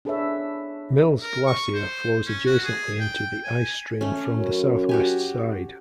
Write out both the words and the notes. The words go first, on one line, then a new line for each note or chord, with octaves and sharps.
Mills Glacier flows adjacently into the ice stream from the southwest side.
D4 G#4 A4 B4 C#5 E5
A#4
C#6
C5
C#4
F#4
G#4
G5
G#5
A3 C#4
F#2
F#4 G4 G#5